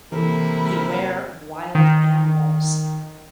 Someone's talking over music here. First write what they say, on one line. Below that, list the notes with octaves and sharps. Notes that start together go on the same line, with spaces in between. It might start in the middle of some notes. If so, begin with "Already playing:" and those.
Beware of wild animals.
C3 E3 A#3 E4 A4 A#4
D#3